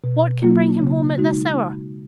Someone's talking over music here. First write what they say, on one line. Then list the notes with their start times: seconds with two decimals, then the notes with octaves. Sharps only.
What can bring him home at this hour?
0.04 B2
0.42 F#3 A#3 F4
0.80 C#3
1.18 G#3 D#4 F#4